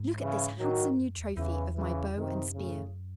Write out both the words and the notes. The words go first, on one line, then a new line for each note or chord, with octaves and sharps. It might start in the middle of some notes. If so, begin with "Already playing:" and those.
"Look at this handsome new trophy of my bow and spear."
Already playing: G#2
C#3 E3
A2 D#3 F#3
G#2
F#2
E2
E2 C#3 E3
C#3 E3
F#2 C3 D#3
A2 C#3